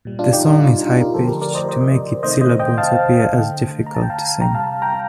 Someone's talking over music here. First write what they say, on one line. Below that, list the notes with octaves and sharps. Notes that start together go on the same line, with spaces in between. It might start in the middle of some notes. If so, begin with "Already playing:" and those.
The song is high-pitched to make its syllables appear as difficult to sing.
A#2 G3
D4 F4
D#4 G4
D4 F4
D#4
D#4
D4 F4
G4 A#4
D3 F3 A3 A4 C5
G4 A#4
A#4 D5
C5 D#5
C5 D#5
C3 D#3 A3 C5 D#5
C5 D#5
D#5 G5
F5 A5
D3 A3
A#5
A5
G5
F5 A5
C3 G3 G5 A#5
F5 A5
G5 A#5